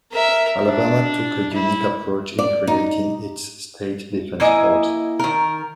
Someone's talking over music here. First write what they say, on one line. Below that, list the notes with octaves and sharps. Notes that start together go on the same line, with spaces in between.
Alabama took a unique approach in creating its state defense force.
A#4 E5
D4
E4
D5
D#4
A#3 E4 D#5 G#5
D#3 A#4